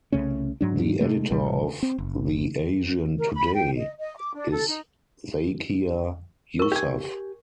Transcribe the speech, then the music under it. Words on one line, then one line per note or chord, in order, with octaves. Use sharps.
The editor of "The Asian Today" is Zakia Yousaf.
C2 C#3 A3 C#4
G#2 F#3 D4
C3 G#3 A3
A1 C3 G3
C4
F#1
A#4
B5
G5
D#5
D#5
D6
D4
A4
D#4
A#4 C#6
G4 G#5